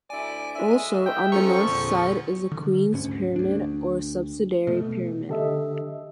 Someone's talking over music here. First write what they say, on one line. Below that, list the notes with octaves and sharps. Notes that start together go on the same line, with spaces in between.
Also on the north side is the Queen's Pyramid or subsidiary pyramid.
D2 E4 D5 G#5
D2 G#3 E5
G5
F3 C#4 A4 A#5 C#6
E2 A#2 D3
D3
D2 G#2 C#4
D2 D4
B2 A3
D3 G4 A4 D#5 E5